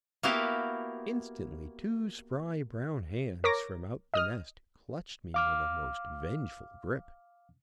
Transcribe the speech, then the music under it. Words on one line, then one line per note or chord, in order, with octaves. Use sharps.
Instantly two spry brown hands from out the nest clutched me with a most vengeful grip.
A#3 B3 E4 F#4 G4 F5
A#4 C#5 D6 A#6
D#5 D#6 F6
F5 D6 F6